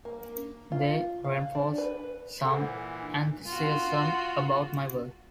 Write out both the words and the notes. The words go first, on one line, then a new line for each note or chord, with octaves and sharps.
They reinforce some enthusiasm about my work.
A#3
F4
F5
D4
B4
A#2 E3 A4 C5 F#5
F4 F#4